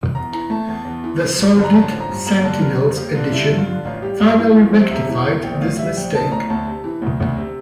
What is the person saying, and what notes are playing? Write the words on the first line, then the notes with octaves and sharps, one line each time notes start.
The Sordid Sentinels Edition finally rectified this mistake.
E2 A#5
E3 A#5
A3 A5
E2 A5
E2
E3
F3
G2
D3
A#5
A1 A5
F3
A#5
G2
A#3 A#5
D3 A5
G3 A#4
F2
A#3 G4
D3 F4
G3 E4
G2
F4
D3
A1 F4
G3 G4
G2 F4
E3 F4
E2 F4
C3 C5
E1 E5
E3
E2
A#1 G5
A2 F5
G3 E5
A#1 G5
A#1 A5
A2 A#5
D2 A5
C3
E3
D2
D2
C3